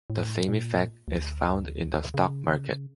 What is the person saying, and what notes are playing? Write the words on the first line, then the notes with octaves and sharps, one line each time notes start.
The same effect is found in the stock market.
A2
A#2
D2
C#3